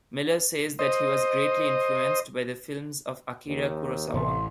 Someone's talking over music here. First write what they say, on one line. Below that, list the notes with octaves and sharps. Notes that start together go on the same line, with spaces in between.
Miller says that he was greatly influenced by the films of Akira Kurosawa.
C5 D#5
D#2
A1 C3 A3 C6